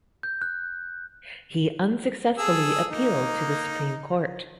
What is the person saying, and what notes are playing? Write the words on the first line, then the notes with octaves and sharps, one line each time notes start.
He unsuccessfully appealed to the Supreme Court.
G6
F#6
G#4 A4 E6
A#3 D#4